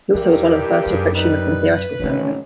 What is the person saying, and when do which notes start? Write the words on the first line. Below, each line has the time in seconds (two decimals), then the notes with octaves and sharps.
He also was one of the first who approached humour from a theoretical standpoint.
0.14 E2 G2 E3 G4 A#4
0.86 F#2 F#3 G#4
1.15 C3 G3 D#4 B4
2.00 G#1 D#3 A3 C#4